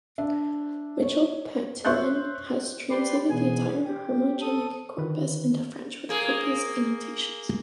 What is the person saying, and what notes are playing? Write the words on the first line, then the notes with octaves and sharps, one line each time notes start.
Michel Patillon has translated the entire Hermogenic corpus into French, with copious annotations.
D4 E5
C#5
C#5 E5 C6 C#6 F#6 G6
G4 B4 D5 C6
B2 E3 B3 G#4 G#5
G4
A4 D#6
D3 D#3 B4
A#3 G#4